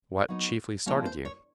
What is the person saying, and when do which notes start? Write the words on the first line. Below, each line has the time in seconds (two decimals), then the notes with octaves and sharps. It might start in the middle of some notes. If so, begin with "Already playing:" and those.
"What chiefly started you?"
0.28 F#3 B3 D#4
0.86 A#2 F3 G#3 C4 E4 C#5
1.06 C5
1.25 C#5